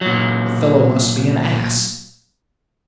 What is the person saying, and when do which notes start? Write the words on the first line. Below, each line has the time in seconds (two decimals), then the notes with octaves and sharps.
The fellow must be an ass!
0.01 A#2 F#3